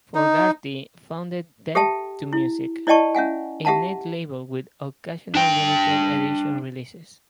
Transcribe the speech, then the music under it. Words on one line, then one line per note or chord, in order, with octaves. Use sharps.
Fogarty founded 'Death To Music', a Netlabel with occasional limited edition releases.
D#4
G4 A4 E5 G5 A5
E4
E4 D5 D#5 G5 A5 C#6
C#4 E5 F#5 G#5
G4 E5 F#5 A5 A#5
D4 G5